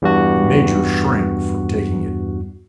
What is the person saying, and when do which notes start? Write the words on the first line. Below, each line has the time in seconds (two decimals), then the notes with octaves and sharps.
The Major shrank from taking it.
0.02 E2 G2 F#4